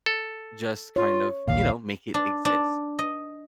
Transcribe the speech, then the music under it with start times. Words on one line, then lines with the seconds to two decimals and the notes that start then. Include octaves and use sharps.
just kind of, you know, make it exist.
0.06 A4
0.96 F4 C#5
1.47 A#1 D#2 A#2 F5
2.14 D4
2.45 D4
2.99 D#5